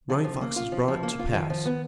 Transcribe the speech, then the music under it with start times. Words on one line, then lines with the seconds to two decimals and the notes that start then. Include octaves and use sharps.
Running Fox has brought it to pass.
0.09 C#3 F3
0.24 F3
0.41 A#3
0.56 F4
0.72 F3
0.88 F3
1.03 A#3
1.19 F4
1.29 C#3
1.34 D#3 F3
1.50 F3
1.65 B3